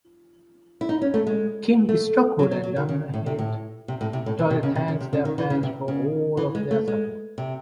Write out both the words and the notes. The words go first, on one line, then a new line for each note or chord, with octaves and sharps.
Kim Stockwood and Damhnait Doyle thanked their fans for all of their support.
E4
D#4
C#4
A3
G#3
A3
F#3
F#3
F#3
D#3
C#3
A2
C3
A2
C3
A2
C3
A2
C3
C3
C#3
C3
C#3
C3
C#3
D#3
E3
C#3
C3
C#3
E3
G#3
A3
G#3
C3